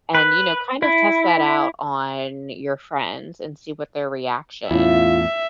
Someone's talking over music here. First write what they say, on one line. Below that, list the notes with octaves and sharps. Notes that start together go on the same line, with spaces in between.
and, you know, kind of test that out on your friends and see what their reaction
B4
E4
E2 A2 C#4 E4 F4 E5